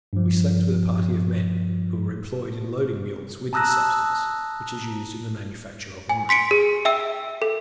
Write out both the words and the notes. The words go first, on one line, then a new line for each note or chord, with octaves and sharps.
We slept with a party of men, who were employed in loading mules with this substance, which is used in the manufacture of wine.
G2 F3
A5 A#5 D#6 E6 F#6 A#6
G#5
C6 B6 C#7 D7
G#4
E5 G5 E6
A4